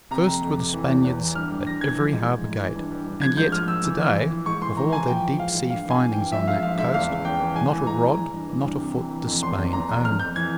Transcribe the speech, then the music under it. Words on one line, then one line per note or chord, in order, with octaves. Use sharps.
First were the Spaniards at every harbour gate; and yet to-day, of all their deep-sea findings on that coast, not a rod, not a foot, does Spain own.
C3 A#5
F2
F2
C3
E3
E2
E2
E3
G2 F6
G2
E3 A#6
E3 G#6
F3
G#2
F3
G#2
E3
G2
G2
G2
F3 G#6
G#2 G6
F3 F6
F3 E6
E3
E3
E3
E3
G#2 C#6
E3 C6
E3 A#5
E3 G#5
F3 G5
F3
G#2 F5
G#2
G2 F5
E3
G#5
E3
G2 G5
F3 E5
G#2 F5
F3 F5
G#2 E5
E2 F5
C#3
E2 G5
E3
G#2 G#5
E3
G#2 A#5
E3
E3
G2
E3
G2
C3
E3
E3
F2
E2 C6
E2
E2 A#5
E2
F2 F6
F2 G6
E3 G#6